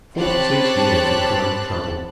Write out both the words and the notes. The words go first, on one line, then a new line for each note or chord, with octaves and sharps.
Forty-six years of toil and trouble!
C4 G4 C#5 A5 B5 F#6